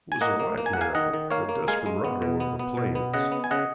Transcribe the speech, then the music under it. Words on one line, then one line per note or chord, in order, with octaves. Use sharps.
It was a white man--a desperado of the plains.
G#5
A#3 D#5 F#5
A#3
A#3
G#5
F#5
A#3 F5 G#5
D#3 D#5 F#5
D#3
A#3 C#5 F5
A#3
G#3 F5 G#5
G#3
B3
B2
B3
B3
B2
B3
C#3 D#5 F#5
B3
G#5
C#3 D#5 F#5